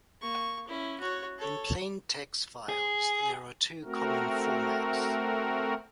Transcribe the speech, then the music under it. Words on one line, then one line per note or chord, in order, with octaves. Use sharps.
In plaintext files, there are two common formats.
A#3 C#6
C#4 E4
F#4 C#5
A4 C#5
G#4
A3 C4 F#4 A#4